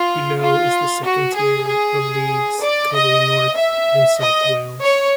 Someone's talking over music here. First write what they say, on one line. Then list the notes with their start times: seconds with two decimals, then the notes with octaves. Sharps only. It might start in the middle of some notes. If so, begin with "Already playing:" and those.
Below it is the second tier of leagues, covering north and south Wales.
Already playing: F4
0.40 F4
1.03 F#4
1.35 G#4
1.65 G#4
2.61 D5
2.93 D#5
3.55 E5
4.18 D#5
4.82 C#5